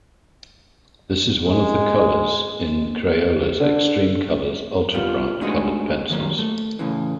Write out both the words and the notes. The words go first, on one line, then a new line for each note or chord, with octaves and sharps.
This is one of the colors in Crayola's eXtreme colors ultra-bright colored pencils.
G#3
D3
G2 G3 B3 F4
G#3 A3 D4 D#4 F#4 G#4
D#3 F#3 G3 A#3
A3
A2 C#3 E3